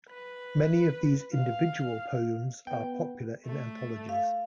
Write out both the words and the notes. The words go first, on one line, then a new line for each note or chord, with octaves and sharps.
Many of these individual poems are popular in anthologies.
B4
F5
B3 G5
A3
F5